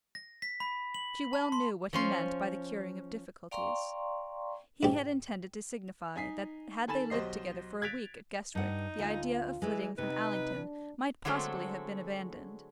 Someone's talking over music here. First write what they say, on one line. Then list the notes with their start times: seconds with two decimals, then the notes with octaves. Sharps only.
She well knew what he meant by the curing of difficulties. He had intended to signify that had they lived together for a week at Guestwick the idea of flitting from Allington might possibly have been abandoned.
0.15 A#6
0.42 B6
0.60 B5
0.94 F#7
1.33 A5
1.52 C6
1.93 F3 C#4 C6
3.51 D5 F5 G5 A#5 C6 C#6
4.83 G#2 G4
6.16 D#4 G#5 B6 C7
6.88 D#3 A4 G#5 B5 A6 E7
7.10 B1 G4 C5 D#5 C7
7.81 F#6 G#6 A6 B6 D7 F7
8.55 G2 D#4 F#5
8.99 D2 F4
9.62 E3 G#3
9.98 C3 D#4 B4
10.54 D4
11.25 D3 F#3 G#3 A3 C4